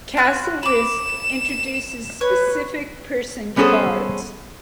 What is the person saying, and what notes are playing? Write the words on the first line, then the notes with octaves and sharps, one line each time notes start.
Castle Risk introduces specific person cards.
F4 F#4
B5 D6 E7
B4 C#5
G3 B3 C#4 G#4 A4 C5